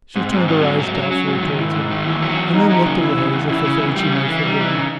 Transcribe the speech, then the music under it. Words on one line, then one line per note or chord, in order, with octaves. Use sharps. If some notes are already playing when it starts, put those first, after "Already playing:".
She turned her eyes doubtfully towards him, and then looked away as if afraid she might forgive him.
G#2 C4
G#2
F#3
G#2
F#3
F#3
F#3 C#4
G#2
D#3
G#2 E4
G#2
D#3
E2 E4
F#3
E2
E2 D#4
F#3
C#3
E2 E4
C#3
E2
C#3 E4
C#3
E2
G3
C#3
E3
G3 D#4
E3
C#3